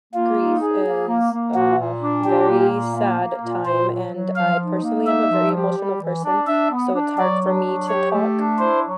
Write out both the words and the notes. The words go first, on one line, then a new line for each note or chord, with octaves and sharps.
grief is a very sad time, and I personally am a very emotional person, so it's hard for me to talk,
A#3 F4
D#4
G#4
A#3
A#3
A#3
A#2 F#4
A#2
D4
A#2 G4
A#3
A#2
A#3
A#3
A#2
A#2 C5
F#3
F#3
F3 F5
D#4
A#3
D#4 E5
F3
G4
G3
E3
D4
D4 E5
B3
D4
F#3 D5
D4
F#3
G4 C#5
A3
D4
E4 C5
F#3